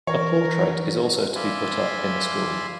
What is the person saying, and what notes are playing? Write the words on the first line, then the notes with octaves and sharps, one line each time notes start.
A portrait is also to be put up in the school.
E3 A#4 C#5
D5 E5 F5 G#5 B5 C6